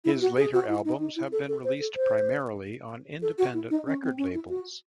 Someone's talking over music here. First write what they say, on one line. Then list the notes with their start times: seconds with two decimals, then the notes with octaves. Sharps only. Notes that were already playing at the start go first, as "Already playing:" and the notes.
His later albums have been released primarily on independent record labels.
0.05 E4
0.22 F#4
0.37 G#4
0.54 F#4
0.69 E4
0.85 D#4
1.00 D#4
1.16 E4
1.32 A4
1.48 A4
1.65 C5
1.80 A4
1.95 C5
3.22 A4
3.38 F#4
3.54 E4
3.70 D#4
3.86 C#4
4.03 C4
4.18 C#4
4.34 E4
4.49 F#4